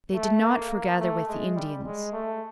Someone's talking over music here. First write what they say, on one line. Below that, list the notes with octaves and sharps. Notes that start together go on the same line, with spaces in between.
They did not forgather with the Indians.
A3
A#3
A#3
A3
G#3
G3
G#3
A3